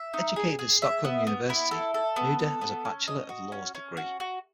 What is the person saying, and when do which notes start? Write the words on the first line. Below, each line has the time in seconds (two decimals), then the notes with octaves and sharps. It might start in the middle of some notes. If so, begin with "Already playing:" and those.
Educated at Stockholm University, Nuder has a Bachelor of Laws degree.
Already playing: E5
0.14 D#4
0.36 G#4
0.59 G#4
0.82 E5
1.05 B3
1.27 B3
1.50 E4
1.71 A4
1.94 A4
2.16 B3
2.39 A4
2.61 B3
2.85 C#4
3.08 D#5
3.29 F#4
3.52 C#4
3.75 C#4
3.97 F#4
4.20 F#4